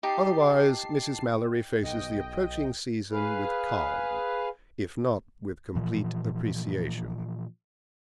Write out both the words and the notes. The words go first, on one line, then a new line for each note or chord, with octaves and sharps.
Otherwise Mrs. Mallory faces the approaching season with calm, if not with complete appreciation.
D#4 G4 A5 C7
B1 D#5 G5
G#4 B4 F5
A#2 E3 F3